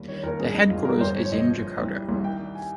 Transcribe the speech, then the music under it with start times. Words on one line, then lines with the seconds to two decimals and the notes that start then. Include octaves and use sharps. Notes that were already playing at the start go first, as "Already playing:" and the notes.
The headquarters is in Jakarta.
Already playing: D#2 G3
0.08 D#3 C#5
0.23 D#2 A#4
0.39 G2 G#4
0.54 G2 D#4
0.70 G#1 F4
0.85 G3 A#4
1.01 G1 C5
1.16 F3 C#5
1.32 G1 D#5
1.47 F3
1.62 A#2
1.78 C2
1.93 G3
2.09 C2
2.24 D#3 G5
2.40 G3
2.55 G#5